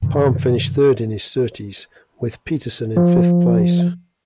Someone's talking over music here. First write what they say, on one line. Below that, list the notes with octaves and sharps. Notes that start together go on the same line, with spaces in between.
Palm finished third in his Surtees, with Peterson in fifth place.
G2 C3 D#3 F3
F3